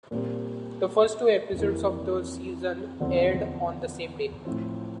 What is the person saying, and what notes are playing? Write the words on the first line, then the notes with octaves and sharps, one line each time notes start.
The first two episodes of the season aired on the same day.
A#2 G3 C4 G4 A#4
F2 E3 A#3
E2 D3 F3 C4
A2 F3 C4